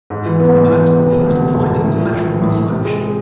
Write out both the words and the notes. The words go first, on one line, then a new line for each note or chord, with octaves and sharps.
Combat or personal fighting is a matter of muscle-action.
G#2
E3
B3
G#2
E3
B3
C3
E1
D2
C3
E1
E1
A2
A#1
A#1
E3
A2
A2
C3
G#3
G#3